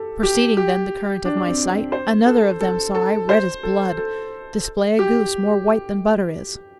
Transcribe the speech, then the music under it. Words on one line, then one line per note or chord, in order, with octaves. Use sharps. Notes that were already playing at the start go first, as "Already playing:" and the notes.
Proceeding then the current of my sight, Another of them saw I, red as blood, Display a goose more white than butter is.
Already playing: G4 A4
G4
G4
D4
D4
C4
C4
C5
A4
A4
A4
C5
A4
A4
G4